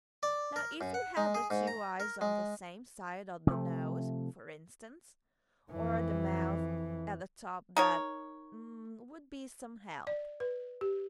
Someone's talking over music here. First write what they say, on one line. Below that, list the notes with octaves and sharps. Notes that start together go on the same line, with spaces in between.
Now if you had the two eyes on the same side of the nose, for instance--or the mouth at the top--that would be SOME help.'
D5
A#4
F#2
F#5
G#3
G#4
G#2
A#5
A#4
G#3
C3 F3 A3
F2 E3
D#4 A#4 C#5
D5
B4
G4